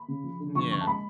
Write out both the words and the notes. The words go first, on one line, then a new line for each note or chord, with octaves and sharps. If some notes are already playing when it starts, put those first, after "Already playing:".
Mm, yeah.
Already playing: B5
C#3
F3
D3
F3 C#6
C#3 C#6
A5
G#3 B5